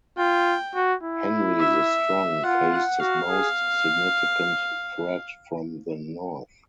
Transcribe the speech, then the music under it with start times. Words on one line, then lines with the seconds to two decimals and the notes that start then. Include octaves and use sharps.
Henry the Strong faced his most significant threat from the north.
0.18 F4 G5
0.75 F#4
1.03 E4
1.59 E5
2.44 F4 F#5
2.72 F#5
3.00 F#4 F5
3.29 G#4